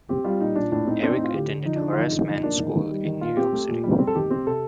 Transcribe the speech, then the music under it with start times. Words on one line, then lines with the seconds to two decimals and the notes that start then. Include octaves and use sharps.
Erik attended Horace Mann School in New York City.
0.09 C4 G4
0.24 G3 F4
0.41 A#2 D#4
0.56 A#2 D4
0.72 A2 D4
0.87 C4 D#4
1.03 C4 D4
1.13 D#4
1.18 A2
1.24 F4
1.34 D3 G4
1.49 D3
1.65 F3 D#4
1.76 D4
1.81 D3
1.86 D#4
1.93 F4
1.97 F3 D#4
2.12 D3
2.28 F3 D#4
2.43 A#3 D4
2.59 A#3 D#4
2.75 D#3
2.91 G3
3.05 D#3
3.21 A#2 F4
3.37 C4 G4
3.53 A3
3.68 A#2
3.84 G3
3.99 C4
4.07 A4
4.15 D#3 G4
4.30 C4
4.47 C3 A4